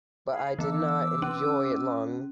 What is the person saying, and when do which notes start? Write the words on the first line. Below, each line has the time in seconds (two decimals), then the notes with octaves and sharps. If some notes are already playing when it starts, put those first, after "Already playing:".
But I did not enjoy it long.
0.30 G#4 F5 B5
0.59 E3 B3 D6 E6
1.22 C#4